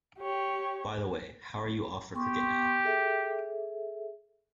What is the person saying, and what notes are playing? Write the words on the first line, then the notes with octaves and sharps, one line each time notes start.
By the way, how are you off for cricket now?
G4 C#5
B3 G4 C6 C#6
G#4 A4 E5